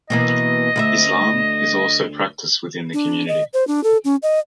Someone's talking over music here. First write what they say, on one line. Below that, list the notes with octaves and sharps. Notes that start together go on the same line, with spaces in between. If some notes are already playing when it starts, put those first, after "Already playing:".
Islam is also practiced within the community.
B2 E3 A#3 D#5
D2 E4 E5
D4
D#5
C5
D4
A4
C#4
D#5